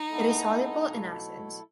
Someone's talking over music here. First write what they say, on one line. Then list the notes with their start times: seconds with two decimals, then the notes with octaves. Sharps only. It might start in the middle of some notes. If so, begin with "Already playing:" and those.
It is soluble in acids.
Already playing: D#4
0.09 G#3 B3 E4 A4 D#5
0.86 B2 F#3 A3 E4 A4